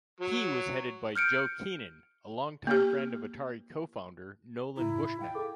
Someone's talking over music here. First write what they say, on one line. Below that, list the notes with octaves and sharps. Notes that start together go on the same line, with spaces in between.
Kee was headed by Joe Keenan, a long-time friend of Atari co-founder Nolan Bushnell.
F#3
F6 G6 C#7 D7
A#3 G4
A2 C#3 E4 A#5
G2
F5 G5 A6
G#4 A4 D6